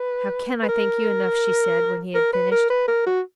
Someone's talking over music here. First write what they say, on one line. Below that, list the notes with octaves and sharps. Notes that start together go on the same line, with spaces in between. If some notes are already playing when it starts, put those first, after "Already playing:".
"How can I thank you enough?" she said, when he had finished.
Already playing: B4
B4
A#4
A#4
B4
A#4
B4
A#4
F#4